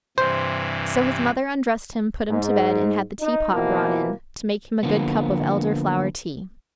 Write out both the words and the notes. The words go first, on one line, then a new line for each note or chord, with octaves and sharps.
So his mother undressed him, put him to bed, and had the tea-pot brought in, to make him a good cup of Elderflower tea.
G2 C3 E3 C5
G#2
D#4
B2 E3 F3 A#3
D3 F3 A#3 B3